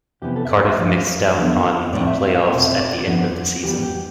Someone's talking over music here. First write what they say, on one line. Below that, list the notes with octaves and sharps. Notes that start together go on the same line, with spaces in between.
Cardiff missed out on the play-offs at the end of the season.
F2 C3 E3 B3 G4
A4
E5
D5
E5
G2 F3 A3 F5
E2 D3 F3 B3 F5
A2 F3 A3 C4 D5
E5
F5
F5
B2 A3 C4 F5
E5
D5
D5
G2 D3 F3 B3
F2 E3 G3 B3 G4
G4